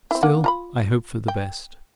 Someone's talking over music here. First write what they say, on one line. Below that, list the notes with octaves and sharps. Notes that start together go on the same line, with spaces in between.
Still I hope for the best.
C4 E4
A#3 D4 F#5
F4 A#5 B5
G5